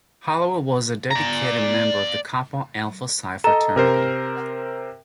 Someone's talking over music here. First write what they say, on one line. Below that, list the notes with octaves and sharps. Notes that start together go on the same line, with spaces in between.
Hollowell was a dedicated member of Kappa Alpha Psi fraternity.
D5 A#5
A4 D#5 A#5
C3 A#4 C5